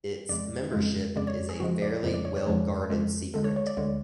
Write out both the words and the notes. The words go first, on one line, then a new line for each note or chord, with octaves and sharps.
Its membership is a fairly well-guarded secret.
F2 C#3 G#3 D5
F2 C#3 G#3
F2 C#3 G#3 D5
C#5
G#4
F2 C#3 F3 G#3 F#4
D5
F2 C#3 F3 G#3
D5
C#5
C#5
F2 C#3 F3 G#3
F2 C#3 F3 G#3
D2 D3 G#3 A4
C#5
C#5
D5
D2 D3 G#3 C#5